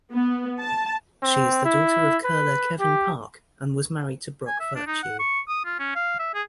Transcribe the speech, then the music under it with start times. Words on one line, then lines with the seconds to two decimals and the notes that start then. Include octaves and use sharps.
She is the daughter of curler Kevin Park and was married to Brock Virtue.
0.13 B3
0.61 A5
1.23 C4
1.65 E4
2.25 B4
2.80 G4
4.47 G#5
4.60 E5
4.76 D4
4.87 D#4
5.03 F#5
5.19 C#6
5.48 D#6
5.65 F4
5.79 C#4
5.95 F5
6.19 E5
6.34 G#4